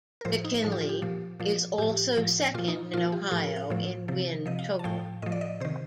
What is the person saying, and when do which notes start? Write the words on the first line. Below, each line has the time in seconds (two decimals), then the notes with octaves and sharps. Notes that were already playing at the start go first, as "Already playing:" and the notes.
McKinley is also second in Ohio in win total.
0.21 A#4
0.25 A2 F3 C5
0.44 D#4
0.64 A2 F3 A4
0.72 G4
0.81 F4
0.89 G4
1.02 A#2 F3
1.40 A#2 F3
1.78 A2 F3 G4
2.17 A2 F3
2.54 A#2 F3 F4
2.68 D#4
2.94 A#2 F3 F4
3.12 G4
3.31 A2 F3 A4
3.44 A#4
3.56 F5
3.70 A2 F3
4.08 C3 F3
4.46 C3 F3 D#5
4.59 F5
4.79 A5
4.84 A2 F3 G5
5.22 A2 F3 D#5
5.32 D5
5.41 D#5
5.60 C3 D#3 C5